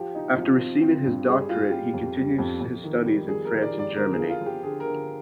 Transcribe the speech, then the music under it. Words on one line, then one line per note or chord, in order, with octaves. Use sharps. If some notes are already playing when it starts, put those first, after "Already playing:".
After receiving his doctorate, he continued his studies in France and Germany.
Already playing: F3 G4
D#4
F3
C4
C4
G2
G3 G#4
G3 F4
G3 G4
F2
G3
F2
F2
D#3
G3
G3 G#4
A#4
D#3
D5
G3
D5
D3 A#4
G#4
F3
F4
F3
G4
D3 G#4
A#4
D3